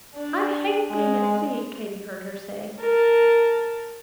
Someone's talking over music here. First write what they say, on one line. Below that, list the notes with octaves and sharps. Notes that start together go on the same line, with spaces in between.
"I hate being at sea," Katy heard her say.
D4
G#3
A#4 A5